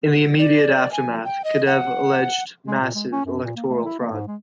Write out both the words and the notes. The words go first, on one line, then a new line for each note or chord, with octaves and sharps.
In the immediate aftermath, Kedev alleged massive electoral fraud.
D5
G#5
G5
D#5
F#5
G#3
A#2
G#3
C#4
F#2
A#2
A#3
A3
E4
A#3
G#2
G#3